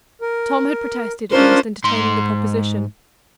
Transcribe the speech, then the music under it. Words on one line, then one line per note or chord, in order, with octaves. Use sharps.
Tom had protested against entertaining the proposition.
A#4
C#4 D4 F4 A#4 C5
G#2 C6